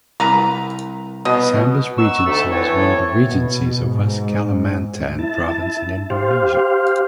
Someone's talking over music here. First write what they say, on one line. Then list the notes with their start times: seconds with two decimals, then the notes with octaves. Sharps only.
Sambas Regency is one of the regencies of West Kalimantan province in Indonesia.
0.20 C2 A#4 B4 A#5
1.25 B2 D#5
1.98 D#4 F#5 A#5 C#6 E6
2.26 D2 A3
2.51 E3 A3 B3 C4 A4 C#5
3.25 B2
3.79 G#2
5.19 E4 A5
6.10 G4 C5 F5